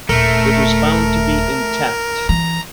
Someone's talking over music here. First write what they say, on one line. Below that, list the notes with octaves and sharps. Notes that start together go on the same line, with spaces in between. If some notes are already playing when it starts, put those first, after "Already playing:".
It was found to be intact.
D#1 A3 A#4
E3 A#5